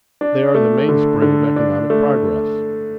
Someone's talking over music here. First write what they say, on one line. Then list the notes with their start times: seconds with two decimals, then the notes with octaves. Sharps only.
They are the mainspring of economic progress.
0.21 D4
0.55 A3
0.89 D3
1.22 D3
1.56 D4
1.90 A3